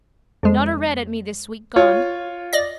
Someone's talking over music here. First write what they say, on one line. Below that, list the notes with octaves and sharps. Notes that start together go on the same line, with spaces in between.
Not a red at me this week gone.
F2 G#3
F4 C#5
D5 D#5 A#6